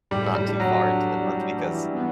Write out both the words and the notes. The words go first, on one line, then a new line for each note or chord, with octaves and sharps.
not too far into the month because,
A2 G3
G3
D4
F#3
D4
G3
E3
B3